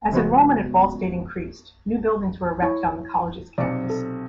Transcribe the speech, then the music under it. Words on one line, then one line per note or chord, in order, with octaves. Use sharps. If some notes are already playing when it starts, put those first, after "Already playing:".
As enrollment at Ball State increased, new buildings were erected on the college's campus.
C#3 F3 G#3 B3 F#4
E4 C#5 C#6
B1 C3 D5 C#7
A4